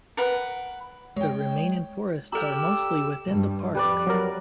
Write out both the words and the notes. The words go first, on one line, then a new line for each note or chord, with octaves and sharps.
The remaining forests are mostly within the park.
A#4 B4 F#5
G#3 C#5 G5
G4 A4 D5 G5 A#5 E6
G2
F2 G3 B4 D5
F#3 A#4